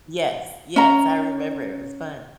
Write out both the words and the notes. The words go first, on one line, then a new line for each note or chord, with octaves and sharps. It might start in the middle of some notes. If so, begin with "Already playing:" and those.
Yes, yes, I remember it was fun.
C#4 A#5